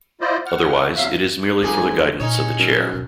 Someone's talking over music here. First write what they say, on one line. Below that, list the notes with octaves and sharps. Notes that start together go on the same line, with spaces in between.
Otherwise, it is merely for the guidance of the chair.
E4 F4 C5 D5 D#5
F#5 F6
E2 C3 F#3 E5 F5
F1 D#3 G3 A#3 B3 G#4
A#2 C#4 D#4 C#5
F#2
D1 B2